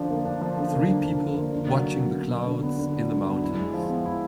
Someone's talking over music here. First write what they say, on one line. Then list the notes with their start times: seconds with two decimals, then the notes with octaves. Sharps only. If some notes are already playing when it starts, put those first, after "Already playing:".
Three people watching the clouds in the mountains.
Already playing: D3 F3 D4
0.10 A#3
0.25 D4
0.41 F3
0.57 D3
0.73 A#3
0.88 D4
1.05 F3
1.21 D3
1.36 A#3
1.52 D3
1.68 F#3
1.84 D3
1.99 B3
2.15 D3
2.32 F#3
2.47 D3
2.63 B3
2.78 D3
2.95 F#3
3.10 D3
3.26 B3
3.42 E4
3.57 G#3
3.74 F3
3.89 B3
4.06 E4